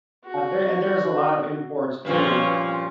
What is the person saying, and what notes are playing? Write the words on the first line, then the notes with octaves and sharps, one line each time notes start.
there and there's a lot of imports too.
F#4
G2 A#2 F3 C#4 C#5